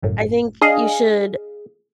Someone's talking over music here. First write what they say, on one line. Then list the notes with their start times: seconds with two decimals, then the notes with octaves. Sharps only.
I think you should
0.02 G1 F#2 A2
0.61 D4 G#4 D#5 F5